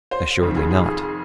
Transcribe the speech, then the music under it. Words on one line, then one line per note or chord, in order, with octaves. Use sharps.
Assuredly not.
C5
F1 F2 D#3
G#4
G#4
G#4